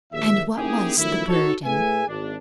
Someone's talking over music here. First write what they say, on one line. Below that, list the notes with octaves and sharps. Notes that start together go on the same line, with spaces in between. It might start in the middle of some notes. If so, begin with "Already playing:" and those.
And what was the "burden"?
A#1 D#2 D#3 G#4 E5
A#3 C#4 D#4 E4 G4 G#4
F#2 D#3 F3 A3 E4
D#4 F#4 A4 C#5
A2 A3 G#4 B4 E5 G#5
G#1 D4